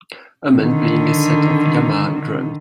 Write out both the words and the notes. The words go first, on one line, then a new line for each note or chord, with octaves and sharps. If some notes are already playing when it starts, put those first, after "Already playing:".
A man playing a set of Yamaha drums.
D3 D#3